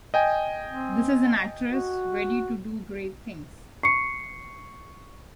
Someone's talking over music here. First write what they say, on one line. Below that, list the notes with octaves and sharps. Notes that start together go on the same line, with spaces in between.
This is an actress ready to do great things.
D#5 G5 G#5
C4
F#4
C#6 C7 C#7